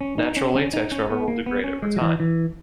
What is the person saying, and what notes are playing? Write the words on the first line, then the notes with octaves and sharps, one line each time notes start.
Natural latex rubber will degrade over time.
C#4
D#4
C#4
C#4
D#4
C#4
B3
A#3
B3
C#4
G#3
F#3
E3
E3